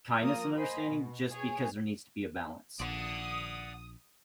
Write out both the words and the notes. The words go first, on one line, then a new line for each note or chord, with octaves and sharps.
kindness and understanding just because there needs to be a balance.
F3 A#3 F4 A#4 D#6
C5 D#5 G#5 B5 C6
B2
G#4 C#5 G#5
A#1 D5 F#5 D#6